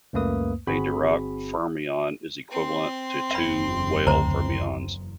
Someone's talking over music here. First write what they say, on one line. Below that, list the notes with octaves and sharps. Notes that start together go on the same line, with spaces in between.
A Dirac fermion is equivalent to two Weyl fermions.
C#2 F#2 A3 A#3 B4 D#6
G1 C4 F#4 G#4 B5
C4 C6
F#1 E2 E5 B5
D2 C5 A#5